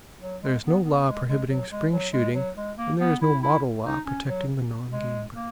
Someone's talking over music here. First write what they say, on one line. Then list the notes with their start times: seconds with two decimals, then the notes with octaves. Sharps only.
There is no law prohibiting spring shooting, and there is no "model law" protecting the non-game birds.
0.22 F#3
0.42 G#3
0.65 B3
0.85 B3
1.07 G#3
1.28 G#3
1.50 F#3
1.71 G#3
1.93 F#3
2.13 G#3
2.35 F#3
2.57 G#3
2.78 A#3
3.00 B3
3.22 E4
3.43 E4
3.85 D#4
4.06 C#4
4.29 F#3
4.92 G#3
5.35 A#3